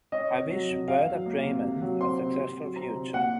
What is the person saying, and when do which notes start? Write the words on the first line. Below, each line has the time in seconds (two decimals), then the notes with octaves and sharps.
I wish Werder Bremen a successful future.
0.12 C#4 D#5
0.31 C3
0.50 F#3
0.69 F2
0.88 C#4 F5
1.07 F#3
1.26 A#3
1.44 C3
1.63 C3
1.82 F#3
2.00 C4 C6
2.20 C3
2.38 C3
2.57 F#3
2.76 C4 A#5
2.95 C3
3.14 A#3 F#5